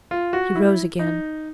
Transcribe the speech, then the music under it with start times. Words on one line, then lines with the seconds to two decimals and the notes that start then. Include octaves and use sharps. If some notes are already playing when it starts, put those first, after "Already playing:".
He rose again.
0.11 F4
0.33 F#4
0.55 E4
0.99 D#4